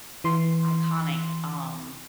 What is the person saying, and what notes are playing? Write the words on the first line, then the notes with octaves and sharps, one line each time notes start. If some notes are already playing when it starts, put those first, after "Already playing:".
iconic, um.
E3 C6